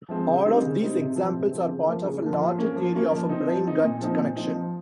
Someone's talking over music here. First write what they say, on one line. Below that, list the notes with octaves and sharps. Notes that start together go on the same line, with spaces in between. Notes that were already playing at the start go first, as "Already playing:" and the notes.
All of these examples are part of a larger theory of a brain-gut connection.
F3 G#3 C4
C#3
G3 C4 D#4
C#3
G3 C4 D#4
C3
F3 C4
C3
F3 C4
C#3
F3 A#3
C#3
F3 A#3
F3
A#3 C#4
F3
A#3 C#4
F3
C4 D#4
F3
C4 D#4
A#2
F3 C4 D#4
A#2
F3 C4 D#4
F3